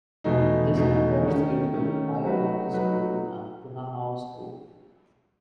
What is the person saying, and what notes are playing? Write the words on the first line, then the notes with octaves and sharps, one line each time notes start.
This compares it to Iolani School and Punahou School.
E2 B2 A3 D#4
E2 B2 A3 D#4
D#3 A3 C#4
D#3 A3 C#4
F#3 A3 D#4 F#4 B4
F#3 A3 D#4 F#4 B4